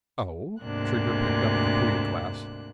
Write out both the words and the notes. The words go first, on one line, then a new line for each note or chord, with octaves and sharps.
"Oh?" Trigger picked up the Puya glass.
D2 G#2 C3 A#3 D4 F#6